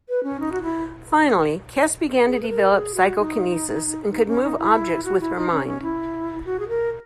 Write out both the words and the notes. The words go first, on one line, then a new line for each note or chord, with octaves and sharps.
Finally, Kes began to develop psychokinesis and could move objects with her mind.
B4
C#4
D#4
F#4
E4
G#4
B4
A#4
G#4
F#4
D#4
D#4
C#4
D#4
E4
F#4
E4
D#4
C#4
C#4
E4
F#4
G#4
A#4